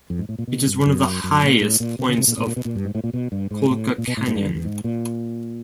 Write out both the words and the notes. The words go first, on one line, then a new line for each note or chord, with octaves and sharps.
It is one of the highest points of Colca Canyon.
F2
G#2
A2
A#2
B2
G2
F#2
F#2
A#2
A2
A#2
C3
C#3
C3
A#2
A2
A#2
B2
A#2
G2
G#2
A2
A#2
B2
G2
G#2
A2
A#2
B2
A2
G#2
G2
F2
E2
G#2
A#2